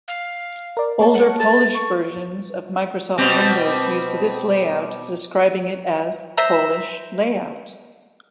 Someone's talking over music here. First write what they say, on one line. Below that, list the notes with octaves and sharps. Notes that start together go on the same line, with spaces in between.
Older Polish versions of Microsoft Windows used this layout, describing it as "Polish layout".
F5
A#4 D5
A#3 C#5 A5
F#5
A4 A6
C#6
B2 G3 C4
C5 E5 A#5